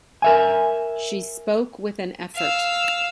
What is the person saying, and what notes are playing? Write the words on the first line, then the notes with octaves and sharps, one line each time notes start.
She spoke with an effort.
A#4 E5 G#5
F5 E6